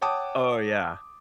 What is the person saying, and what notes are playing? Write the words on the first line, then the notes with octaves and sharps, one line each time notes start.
Oh, yeah.
C#5 F#5 G5 A5 D6 D#6